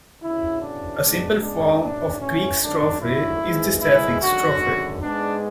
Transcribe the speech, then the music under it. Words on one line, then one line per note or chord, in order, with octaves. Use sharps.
A simple form of Greek strophe is the Sapphic strophe.
D2 C#3 E3 B3 E4
D4
C#2 B2 G#3 B3
D4
A1 A2 E3 D4
C#4
G#1 F#2 D3 A3 D4
E4
G#1 G#2 E3 G#3
E4
G#1 F#2 D3 F#4
G#2 G#3 B3 D4